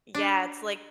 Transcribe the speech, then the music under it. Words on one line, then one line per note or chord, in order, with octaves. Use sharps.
Yeah, it's, like,
D4